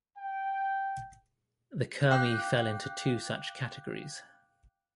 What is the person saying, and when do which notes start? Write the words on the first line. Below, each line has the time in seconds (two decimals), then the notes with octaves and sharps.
The Kurmi fell into two such categories.
0.17 G5
2.11 F5 G5 D6 F#6 G6